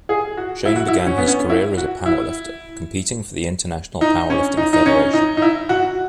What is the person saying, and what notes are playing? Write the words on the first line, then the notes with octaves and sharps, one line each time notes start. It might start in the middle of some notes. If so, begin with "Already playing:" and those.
Shane began his career as a powerlifter, competing for the International Powerlifting Federation.
G#4
F#4
E4
F#4
E4
C#4
B3
C#4
E4
F#4
E4
D#4
C#4
D#4
D#4
C#4
D#4
D#4
E4
F#4